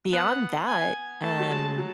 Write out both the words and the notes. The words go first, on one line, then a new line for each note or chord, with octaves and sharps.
beyond that, um,
B3 F#5
G#5
A3 A5
F#3
G#3
F#3